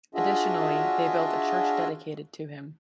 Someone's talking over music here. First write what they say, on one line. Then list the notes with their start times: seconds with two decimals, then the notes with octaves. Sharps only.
Additionally they built a church dedicated to him.
0.15 D4 F4 F#4 G#4 D#5 E5